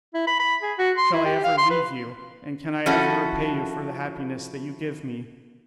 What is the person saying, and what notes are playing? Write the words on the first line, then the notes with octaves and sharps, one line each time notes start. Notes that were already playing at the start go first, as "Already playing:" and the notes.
Shall I ever leave you, and can I ever repay you for the happiness that you give me?
E4
B5
B5
G#4
F#4
C6
E4
G4
F5
C6
B4
F3 C#4 E4 F#4 A4